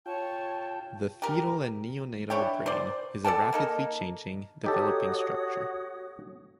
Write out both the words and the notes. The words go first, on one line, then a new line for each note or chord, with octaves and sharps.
The fetal and neonatal brain is a rapidly changing, developing structure.
F4 C#5 G5 A5 C#6
G4 A#4
D4 E4 C#5 G5
C5 D5
A4 D5 G5 A5
A#3 D#4 A4
D#4 F#4 G4 A4 C#5 D#6